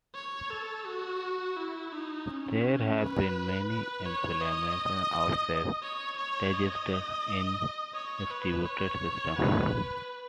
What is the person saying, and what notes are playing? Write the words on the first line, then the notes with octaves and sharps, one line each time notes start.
There have been many implementations of safe register in distributed systems.
C#5
A4
F#4
E4
D#4
C#4
B4
B4
C#5
D#5
C#5
C#5
D#5
C#5
B4
C#5
B4